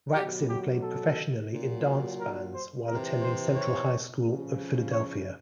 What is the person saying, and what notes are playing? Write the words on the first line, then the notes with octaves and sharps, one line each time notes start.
Raksin played professionally in dance bands while attending Central High School of Philadelphia.
B2 F#3 G4
G4
A4
A#2 F#3
A#4
C5
C3 E3 A#4
C5
C#5
C#3 F3
C#5